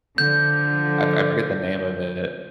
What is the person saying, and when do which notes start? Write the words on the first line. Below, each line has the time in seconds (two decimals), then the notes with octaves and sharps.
I I forget the name of it.
0.18 D3 F3 G6